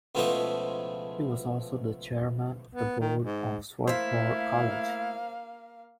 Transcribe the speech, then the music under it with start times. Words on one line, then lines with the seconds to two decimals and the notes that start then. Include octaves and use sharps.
He was also the chairman of the board at Swarthmore College.
0.15 C#2 B2 F3 A3 E4 D#5
2.73 B3
3.00 D#3
3.22 G#2
3.87 A3 A#3 E4 C5 E5 F5